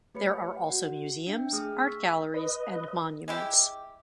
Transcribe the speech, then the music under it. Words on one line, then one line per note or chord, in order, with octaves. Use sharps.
There are also museums, art galleries and monuments.
A3 G4 B4 C#5 B5 C#7
F#4 F#5
D4 E5 G5
A3 G#4 D#6 F6
C#6 E6 B6
B4 D#5
G#3 E4 G4